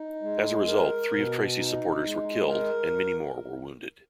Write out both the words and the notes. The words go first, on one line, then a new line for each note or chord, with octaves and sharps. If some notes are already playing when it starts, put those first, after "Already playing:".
As a result, three of Tracey's supporters were killed and many more were wounded.
Already playing: D#4
G#3
A#4
B2
D#4
G#3
A#4